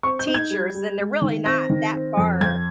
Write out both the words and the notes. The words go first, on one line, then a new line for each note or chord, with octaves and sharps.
teachers, then they're really not that far
C4 C#6
G6
D#4
G#6
G3
G3
G#3
D#3
C4 A#6
D#3
C4
F2
F2 G#6